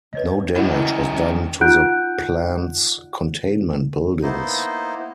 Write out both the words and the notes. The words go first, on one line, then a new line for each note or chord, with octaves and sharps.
No damage was done to the plant's containment buildings.
B4 C#5 D#5
F#2 D#3 E4 F#5
C#4
D#4 F4 F#5 F#6 G6 D7
A#3 B3 D#4 E4 C5 D#5